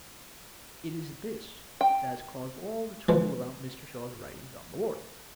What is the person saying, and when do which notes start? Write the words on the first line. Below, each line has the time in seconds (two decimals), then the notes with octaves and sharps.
It is this that has caused all the trouble about Mr. Shaw's writings on the war.
1.81 G5
3.09 E3 F3 G#3